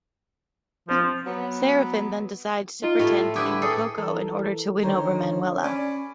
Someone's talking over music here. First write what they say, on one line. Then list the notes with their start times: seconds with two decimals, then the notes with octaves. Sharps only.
Serafin then decides to pretend to be Macoco in order to win over Manuela.
0.89 F3 C4 C5
1.26 F#3 B3
2.84 D#4 F4
2.99 A2 A3 G4
3.36 D3 G4 B4 E5 D6 D#6 G#6
3.62 G#4 A4
3.98 E3 A4 A#4
4.83 D3 D#3 C5 C#5 A#5
5.63 C#4 D5 G#5 B5